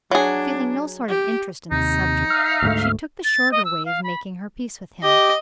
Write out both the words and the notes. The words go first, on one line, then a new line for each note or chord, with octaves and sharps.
Feeling no sort of interest in the subject, she took the shorter way of making her peace with him.
F#3 D4 G#4
G4
D#2 C3 D#4
E5 F5 F6
D2 G#2 A3
A6
D#5
E6
F5
B5
G4 D#5